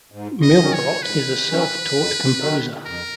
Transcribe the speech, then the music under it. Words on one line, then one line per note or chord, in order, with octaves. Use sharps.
Milbrodt is a self-taught composer.
G#2
D#5
D#3 F#3 C#4
C#5
G#2 B4
D#3 F#3 C#4
F2
D#3 F#3
F2 A#4